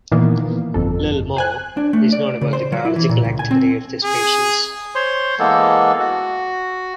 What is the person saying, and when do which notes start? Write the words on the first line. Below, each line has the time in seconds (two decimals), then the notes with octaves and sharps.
Little more is known about the biological activity of this species.
0.11 A#2 D#3 E3 A#3 B3
0.74 G1 F2 A4
1.36 C5 G#5 F#6
1.77 D4
1.93 A3
2.12 D5
2.41 C#3
2.53 C5
2.72 F#3
2.85 E4
2.96 E3
3.09 A#2
3.25 C#2
3.39 G#5
3.51 C4
4.04 G#4
4.95 C5 C#5 C6
5.39 E3 G#3 A#3 B3 A4
5.99 F#4